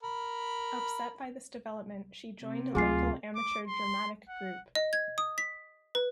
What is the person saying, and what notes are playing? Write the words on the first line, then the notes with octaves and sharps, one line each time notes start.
Upset by this development, she joined a local amateur dramatic group.
A#4 B5
C3
D2 F#3 F4 G#4 G#5 C7
D6
C6
F#5
D#5
G#6
D#6
B6
B4